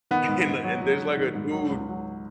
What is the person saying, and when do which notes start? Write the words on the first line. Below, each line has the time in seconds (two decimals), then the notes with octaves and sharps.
and and there's, like, a dude
0.11 D#3 B3
0.28 G#2
0.46 G#2
0.64 F#3
0.82 F#3
1.00 F#3
1.17 D#3
1.35 G#2
1.52 F#3
1.70 C#2
1.89 F#3